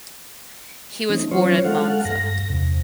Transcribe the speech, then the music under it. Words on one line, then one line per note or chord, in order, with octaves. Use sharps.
He was born in Monza.
E3 A3 C4 C#4 D#4
E3 F#3 C#4 F4 C5 C#5
G#3 A4 F5 F#5
G2 A#6
E2 C3